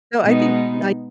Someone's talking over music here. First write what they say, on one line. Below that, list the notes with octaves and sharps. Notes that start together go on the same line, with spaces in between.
So I think, night
B2 G#3 B3 D#4